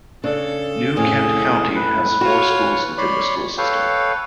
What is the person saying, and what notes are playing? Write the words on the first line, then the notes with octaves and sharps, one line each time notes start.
New Kent County has four schools within the school system.
C#3 D4 A4
F2 A2 C#4 G#4
B4
F4 F#4 C#5
C#5 D5 B5 C6
A4 B4 C#5 F5 G5